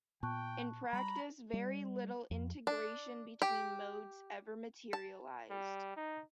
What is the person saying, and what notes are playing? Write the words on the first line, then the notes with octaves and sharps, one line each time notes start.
In practice, very little integration between modes ever materialised.
A#2 B3 G5 A5 C#6 F#6
G3 A#5 B5
G3
F2
D4
G4
A5
G3
D#4